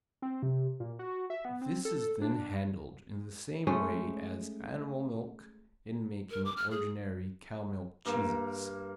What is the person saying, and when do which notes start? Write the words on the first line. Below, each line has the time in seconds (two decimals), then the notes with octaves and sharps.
This is then handled in the same way as animal milk in making ordinary cow-milk cheeses.
0.22 C4
0.43 C3
0.80 A#2
0.99 F#4
1.30 E5
1.45 B3
1.61 C4
1.85 A4
2.21 D4
3.67 G#3 A3 C#4 D#4
6.31 A#4
6.45 D6
6.57 F6
6.71 G#4
8.06 G2 A#3